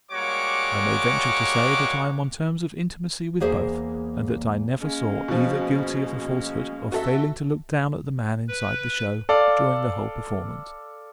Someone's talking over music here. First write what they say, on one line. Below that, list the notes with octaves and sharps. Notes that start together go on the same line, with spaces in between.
I may venture to say that I am on terms of intimacy with both, and that I never saw either guilty of the falsehood of failing to look down at the man inside the show, during the whole performance.
G3 G#3 A#3 F#4 C#5 D6
E2 A#3 G#4 C5 E5
G#3 A#3 C#4
B2 F3
F#4 A4 E5
B4
A4 D5 F5